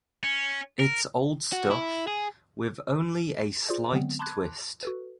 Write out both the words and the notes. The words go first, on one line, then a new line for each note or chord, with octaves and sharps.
It's old stuff, with only a slight twist.
C#4
A#4
F#4
E4
G#4
F4 G#4 C5 D5
D3 F#3 G#3 B3 C4
A5 B5 C6 D6 F#6 G#6
F#4 A4 B4